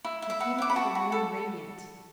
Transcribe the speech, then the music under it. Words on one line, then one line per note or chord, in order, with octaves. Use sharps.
He came into the room radiant.
E4
E4
E5
B4 F#5
E4 D6
B5
F#4 A5
F#4
A4